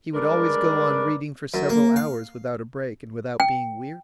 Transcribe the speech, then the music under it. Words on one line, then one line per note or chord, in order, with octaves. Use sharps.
He would always go on reading for several hours without a break and without being weary.
G2 G#3 D4 A#4 B4 D5
F#2
A#3
F5
G5